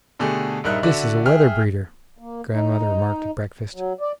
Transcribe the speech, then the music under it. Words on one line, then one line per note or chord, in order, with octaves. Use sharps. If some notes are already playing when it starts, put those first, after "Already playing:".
"This is a weather-breeder," grandmother remarked at breakfast.
B2 D3 A3 G4 G#4
A#1 G2 D#4 A#4 E5 F#6
D3 F#4 D5 E5
G#4 E5 G5 F6
A#3
D#4
F#3
D5